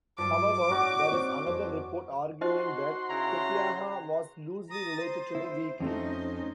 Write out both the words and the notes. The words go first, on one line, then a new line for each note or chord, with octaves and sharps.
However, there is another report, arguing that Sapieha was loosely related to the weekly.
G2 F3 F#3 D6 E6
A2 C#4 F#4 D5
C4 D#4 C5
F2 C5
D#4 F#4 C5 D#5 C6
C#3 E4 A#5
A#5 D#6 A6
C5
E4
F2 F3 A3 C#4 D#4 C5